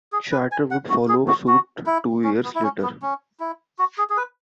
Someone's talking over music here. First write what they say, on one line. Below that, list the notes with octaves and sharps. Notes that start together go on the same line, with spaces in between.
Charter would follow suit two years later.
G#4
B4
G#5
F#5
F#4
G#4
F#4
F#4
E4
C#4
B3
E4
C#4
B3
C#4
E4
F#4
G#4
G#4
B4